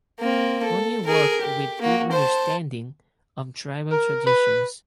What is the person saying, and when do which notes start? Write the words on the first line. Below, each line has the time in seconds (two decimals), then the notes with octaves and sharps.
Bony worked with deep understanding of tribal traditions.
0.20 A#3 C4
0.64 A4
1.06 G#4 A#4
1.42 G4
1.81 A#3 F#4
2.12 C5 A5
3.91 A#4
4.26 B4